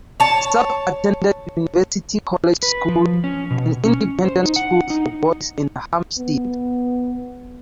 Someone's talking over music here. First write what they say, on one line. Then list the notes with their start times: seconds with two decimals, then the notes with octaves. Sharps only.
Self attended University College School, an independent school for boys in Hampstead.
0.20 C#5 A5
2.63 B4
2.88 F3
3.24 C#4
3.51 B2
3.85 C#4
4.25 C5
4.43 D#4
4.56 F#5
4.90 D#4
6.18 B3